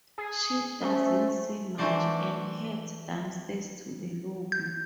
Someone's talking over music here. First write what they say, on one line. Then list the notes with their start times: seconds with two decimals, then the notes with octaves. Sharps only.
She doesn't see much and heads downstairs to the lobby.
0.18 G#4
0.81 A3 C#4 C5
1.78 E3 A3 D4 F#4 C5 D5
4.52 G6